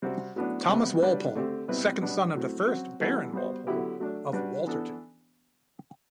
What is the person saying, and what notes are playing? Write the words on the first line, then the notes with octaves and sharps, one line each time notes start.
Thomas Walpole, second son of the first Baron Walpole, of Wolterton.
C3 G3 C4 F#4
A2 F#3 B3 D4
C3 G3 B3
G3 D4 F#4 B4
D3 A3 C4 G4
B2 G3 C4 E4 B4
B2 G3 B3 D4
A2 F#3 C4
F#3 C4 F#4
E3 G3 B3 F#4 A4
G3 B3 F#4 C5
D3 F#3 B3 E4 G4
F#3 A3 D4
G3 D4 F#4 B4
E3 B3 D4 A4